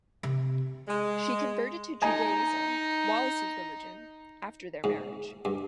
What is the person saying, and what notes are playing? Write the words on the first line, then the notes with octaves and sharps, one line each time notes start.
She converted to Judaism, Wallis's religion, after their marriage.
C3
G#3
D#4 D#5 G#5 A#5
G#2
G2